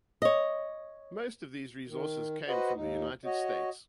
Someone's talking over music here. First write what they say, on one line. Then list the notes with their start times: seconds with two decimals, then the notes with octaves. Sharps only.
Most of these resources came from the United States.
0.22 C#5 D#5
1.88 D#3
2.48 F#4 B4 C5 D#5 F#5
2.75 D#2 D#4
3.25 F#4 C#5 D#5